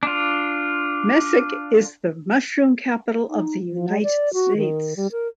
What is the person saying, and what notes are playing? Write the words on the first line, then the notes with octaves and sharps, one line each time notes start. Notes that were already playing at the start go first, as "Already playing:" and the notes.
Mesick is the Mushroom Capital of the United States.
D4 F4
D#4
F3
G#3
D5
F#4
D#3
G3
A#4